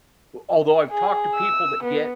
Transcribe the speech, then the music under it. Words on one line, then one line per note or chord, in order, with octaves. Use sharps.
although I've talked to people that get
G#4
E6
B3